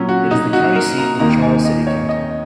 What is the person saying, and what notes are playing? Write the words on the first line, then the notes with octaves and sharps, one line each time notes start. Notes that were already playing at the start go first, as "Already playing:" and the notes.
It is the county seat of Charles City County.
Already playing: A#2 F#3 C#4
F#4
D#4
F#4
A#4
A#5
D#2 D#3 A#3 D#4 A#5
G#5
D#5
C#5
D#5